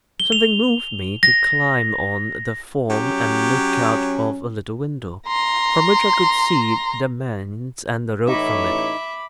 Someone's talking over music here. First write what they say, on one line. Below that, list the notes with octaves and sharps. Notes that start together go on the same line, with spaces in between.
Something moved me to climb on the form and look out of a little window, from which I could see the manse and the road from it.
G7
F7
A#6
F#3 C#4 G4
A#5 C6
A1 A2 D#4 C#5 E5 B5 D6